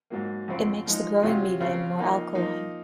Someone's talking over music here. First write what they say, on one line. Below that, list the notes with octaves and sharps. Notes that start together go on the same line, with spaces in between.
It makes the growing medium more alkaline.
G#2 F#3 A#3
F#2 C#3 F3 C4
F3 G#3 D#4
C3 F#3 C#4 F4
C#3 F3 C4 F4
F3 A#3 D#4
F3 A#3 D#4